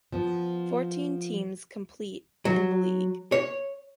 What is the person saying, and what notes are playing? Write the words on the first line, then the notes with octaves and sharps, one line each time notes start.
Fourteen teams complete in the league.
F3 B3
F#3
C#5